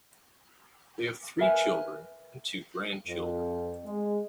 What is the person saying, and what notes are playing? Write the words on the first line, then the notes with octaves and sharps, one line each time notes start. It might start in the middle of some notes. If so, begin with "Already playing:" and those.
They have three children and two grandchildren.
A#4 B4 E5 G#5
F2
G#3